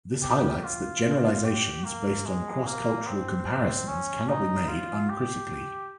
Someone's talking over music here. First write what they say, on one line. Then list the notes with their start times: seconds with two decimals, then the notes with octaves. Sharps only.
This highlights that generalizations based on cross-cultural comparisons cannot be made uncritically.
0.23 G4
0.64 F4
1.45 G4
1.85 A#3
2.26 G#3
2.66 A#3
3.07 C4
3.88 C#4
4.29 D#4
4.68 F4
5.10 G4